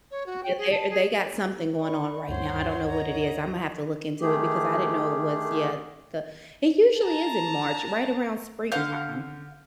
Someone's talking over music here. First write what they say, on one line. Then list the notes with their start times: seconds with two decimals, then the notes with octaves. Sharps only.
Yeah, there they got something going on right now. I don't know what it is. Imma have to look into it because I didn't know it was yet the it usually is in March, right around springtime.
0.11 C#5
0.26 F#4
0.43 G5
0.58 G#4
0.71 A5
0.90 G#4
1.80 D5 B5 C#6
2.29 D2 G2 E4 C5 C#5 F#5 C6
2.89 D#5 A#5
4.21 D#3 A3 G4 G#4
6.99 A5 A#5
8.72 D3 F5 F#5 G6